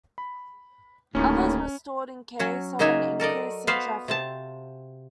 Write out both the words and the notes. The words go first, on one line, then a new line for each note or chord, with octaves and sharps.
Others were stored in case of an increase in traffic.
B5
D1 D#2 A2 C#4
F#3 C#4 F#4
C#3 A#3 D#4 F#4 E5 G#5
A4 A#4 D5 D#5
B3 F#4 B4 C5 F5
C3 C4 A5